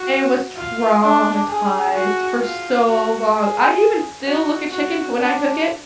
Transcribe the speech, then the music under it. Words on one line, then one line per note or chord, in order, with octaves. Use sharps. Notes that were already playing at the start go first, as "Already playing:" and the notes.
I was traumatized for so long, I even still look at chicken c when I cook it,
Already playing: F#4
F4
D4
G#4
F#4
F4
F#4
G#4
F#4
F#4
D4